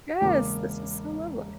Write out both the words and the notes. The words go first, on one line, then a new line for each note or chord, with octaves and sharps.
Yes, this was so lovely.
E1 C#3 A#3 D6